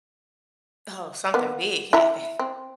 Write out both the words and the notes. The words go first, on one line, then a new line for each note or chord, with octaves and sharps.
Oh, something big happened,
A#3 B3
E4 E5 A#5
C4